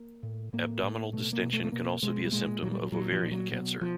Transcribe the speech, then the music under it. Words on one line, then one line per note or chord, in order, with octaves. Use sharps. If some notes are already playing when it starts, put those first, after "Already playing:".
Abdominal distension can also be a symptom of ovarian cancer.
Already playing: A#3
A2
A2 A#3
A2
B2 A3
A#3
B2
A3
A3
B2 A#3
B2 G#3
G3
A#2 G#3
A#2 F#3
G3
F#3
A#2 F#3
F3
A#2
F#3
B2 F#3
B2 F3